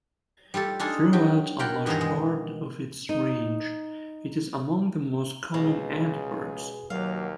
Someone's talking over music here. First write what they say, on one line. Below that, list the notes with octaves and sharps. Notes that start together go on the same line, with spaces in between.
Throughout a large part of its range, it is among the most common antbirds.
G3 F4 G4 A4
D4 D#4 F4 G#4 A4
F#3 G4
F4 G4 A#4 F#5 G5
G2 B2 D#3 E3 C5 A#5
G#3
D#4
C#2 B2 G#4
D#2 F#3 A#3 F5